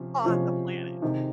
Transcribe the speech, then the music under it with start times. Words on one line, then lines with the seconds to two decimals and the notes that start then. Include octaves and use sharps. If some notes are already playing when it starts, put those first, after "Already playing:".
on the planet.
Already playing: C3 F3 C#4 F4
0.25 C3 F3 G#3 C#4 F4
1.02 C3 D#3 G#3